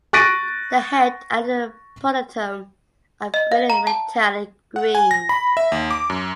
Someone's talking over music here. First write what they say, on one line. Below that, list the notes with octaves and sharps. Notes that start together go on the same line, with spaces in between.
The head and the pronotum are brilliant metallic green.
C#6 F#6 A6 A#6 D7 D#7
D#5
F5
A#5
A5
F#5
G#5
A#6
B5
E5
D#2
D6
F#2